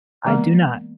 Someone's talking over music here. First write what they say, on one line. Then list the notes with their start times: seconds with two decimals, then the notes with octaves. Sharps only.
I do not.
0.25 E3 G#3 A#3 B3 A#4